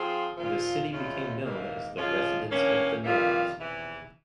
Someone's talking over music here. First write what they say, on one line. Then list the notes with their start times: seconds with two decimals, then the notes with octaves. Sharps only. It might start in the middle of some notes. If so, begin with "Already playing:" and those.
The city became known as the "residence of the nobles".
Already playing: F3 C4 F4 G#4
0.37 A#2 F3 A#3 F4
0.90 E2 E3 G#3 C#4 F4
1.44 G#2 E3 A#3
1.96 F3 G#3 C#4 F4
2.50 G2 E3 A#3 C#4
3.03 F2 E3 G3 A#3 F4
3.56 E2 C3 E3